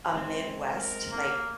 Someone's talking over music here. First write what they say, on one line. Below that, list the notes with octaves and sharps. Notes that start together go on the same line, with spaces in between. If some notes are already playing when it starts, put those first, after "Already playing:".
a Midwest, like,
G#3 C4
A#4
A#3